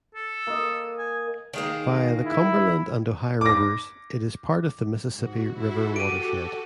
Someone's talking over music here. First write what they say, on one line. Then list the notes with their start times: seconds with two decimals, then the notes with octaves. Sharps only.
Via the Cumberland and Ohio rivers, it is part of the Mississippi River watershed.
0.15 A4
0.47 A#3 D#5
0.98 G#5
1.53 D#3 G#3 A#3
2.26 E4
3.41 D6 A#6
5.14 G#2 F#4
5.54 E4 F#4 A4
5.96 G4 D7 D#7